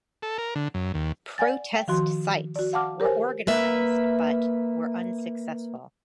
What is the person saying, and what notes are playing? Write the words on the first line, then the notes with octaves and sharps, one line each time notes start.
Protest sites were organized but were unsuccessful.
A4
A#4
D3
F#2
D#2
D5 F#5 G#5 A6
G5
D#3 F3 F#4 C6
F#4 D5
F5 F#5 A5 D6 F6
G4 A#4 C5 C#5 G#5
A#3 B4 E5